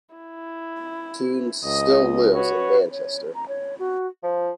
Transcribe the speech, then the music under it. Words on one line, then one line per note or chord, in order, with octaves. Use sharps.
Tunes still lives in Manchester.
E4
C#2 D#5
F#4 B4 C#5
C#5
A#5
C#5
F#4
F3 F4